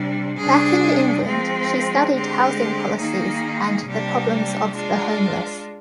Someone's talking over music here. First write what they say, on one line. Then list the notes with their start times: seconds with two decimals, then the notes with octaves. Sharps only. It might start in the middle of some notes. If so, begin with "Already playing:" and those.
Back in England, she studied housing policies and the problems of the homeless.
Already playing: C3 G3 D4
0.37 C3 G3 D4 G#4
1.25 F3 G#3 C4
2.12 D3 G#3 C4 G4
2.99 D#3 A#3 D#4 G#4
3.86 C3 G3 A#3 D4 G4
4.74 G#3 D4 F4